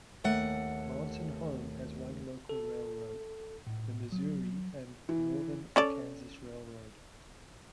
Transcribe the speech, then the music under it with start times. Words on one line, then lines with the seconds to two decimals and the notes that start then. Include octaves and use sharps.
Mountain Home has one local railroad, the Missouri and Northern Arkansas Railroad.
0.24 D#2 A3 F#5
2.49 A4
3.67 A2
4.12 F#3
5.09 E3
5.76 C#4 A4 D5